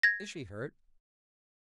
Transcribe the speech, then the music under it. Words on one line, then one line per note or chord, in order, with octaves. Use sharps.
"Is she hurt?"
G#6 A#6